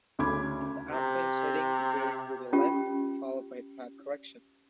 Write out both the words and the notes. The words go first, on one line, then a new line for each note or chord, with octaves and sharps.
The airplane's heading veered to the left, followed by a track correction.
D2 C#3 C#4 B5 D6 G#6
C3
C#4 F4 G4